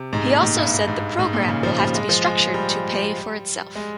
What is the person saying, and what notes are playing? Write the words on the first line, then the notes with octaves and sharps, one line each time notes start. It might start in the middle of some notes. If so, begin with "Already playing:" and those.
He also said the program will have to be structured to pay for itself.
Already playing: C3
G#2
A#2
G#2
G2
G2
G#2
G#2
A#2
C#3
F3
G3
G#3
F3
G#3
G3
G#3